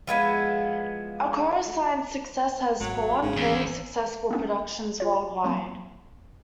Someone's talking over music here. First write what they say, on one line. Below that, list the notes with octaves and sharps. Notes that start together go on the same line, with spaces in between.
"A Chorus Line"s success has spawned many successful productions worldwide.
F3 G#3 B3 E4
G#1 F#3
G#1 C#3
E2
A#3 B3 C#4
F4 C#5
F#3 A#3 C4